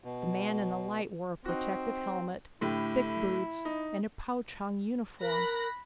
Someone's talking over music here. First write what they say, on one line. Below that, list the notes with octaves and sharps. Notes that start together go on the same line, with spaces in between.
The man in the light wore a protective helmet, thick boots and a pouch-hung uniform.
B2
C4 D#4 F#4
A2 D3 E4 G4
D#4
A#4 B5 F#6 A#6